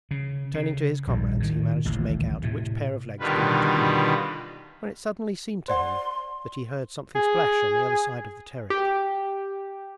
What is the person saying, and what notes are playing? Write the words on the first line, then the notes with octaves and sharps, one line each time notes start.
Turning to his comrades he managed to make out which pair of legs belonged to whom, when it suddenly seemed to him that he heard something splash on the other side of the Terek.
C#3
C#3
A#1 D#2 G3
A2 D#3
D#1 A1 D2 C#3
A2 C3
B2 D3 D#3 G3 F4 B4
C5 D5 F#5 C6
G#4
G4